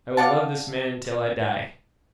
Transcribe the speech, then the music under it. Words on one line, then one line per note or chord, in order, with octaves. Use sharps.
I will love this man until I die.
D5 F5 F#5 A5